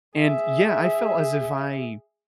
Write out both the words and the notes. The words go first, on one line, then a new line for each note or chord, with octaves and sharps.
And, yeah, I felt as if I
G#4 E5